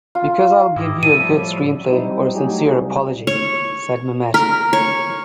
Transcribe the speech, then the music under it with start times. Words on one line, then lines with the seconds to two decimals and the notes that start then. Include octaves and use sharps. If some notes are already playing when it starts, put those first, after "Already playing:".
"Because I'll give you a good screenplay or a sincere apology," said Mamet.
0.15 F4
0.76 G#2 E4 G4 D#5
1.03 A2 F3 G3 E5 D#7
1.88 F#3 G3 C4 D#4 E4
2.33 F#3 A3 D#4 G4 G#4
2.67 C2
3.27 C#5
4.34 A#4
4.73 C#5